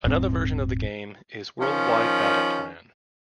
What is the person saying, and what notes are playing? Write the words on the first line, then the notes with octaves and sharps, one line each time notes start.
Another version of the game is "World Wide Battle Plan".
D#1 G#2 C4
D#3 F3 C#4